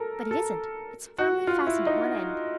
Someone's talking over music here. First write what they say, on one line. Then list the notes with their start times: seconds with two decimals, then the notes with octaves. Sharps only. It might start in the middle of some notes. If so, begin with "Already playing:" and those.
But it isn't--it's firmly fastened at one end.
Already playing: A4 A#4
0.31 A4
1.18 F#4
1.47 F4
1.67 E4
1.86 D#4